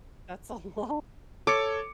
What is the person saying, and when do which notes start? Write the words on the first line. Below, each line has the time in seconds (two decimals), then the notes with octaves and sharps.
That's a lot.
1.47 A4 C#5 D6 C#7